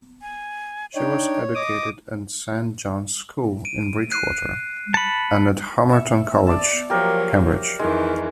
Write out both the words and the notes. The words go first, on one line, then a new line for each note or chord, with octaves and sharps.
She was educated at Saint John's School in Bridgwater, and at Homerton College, Cambridge.
G#5
D4 D#4 C#5 G5
D#5 D6 D#6
D7 D#7
F#6 C7 D#7
A5 B5 C#7
E5 C#6
D5 A5
F3 F#3 A#3 G4 A#4
F2 D#3 E3 G#3